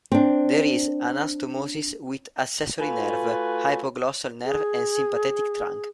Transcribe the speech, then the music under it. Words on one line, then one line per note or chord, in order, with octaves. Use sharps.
There is anastomosis with accessory nerve, hypoglossal nerve and sympathetic trunk.
C4 D4
A3 F4 F#4 B4 G#5
G#4